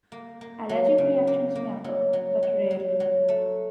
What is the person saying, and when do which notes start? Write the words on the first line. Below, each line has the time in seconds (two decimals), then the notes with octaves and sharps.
Allergic reactions may occur, but rarely.
0.12 A#3
0.41 A#3
0.69 F#3
0.98 C#3
1.27 A#3
1.55 A#3
1.84 F#3
2.13 F#3
2.43 F#3
2.71 F#3
3.00 F#3
3.28 A3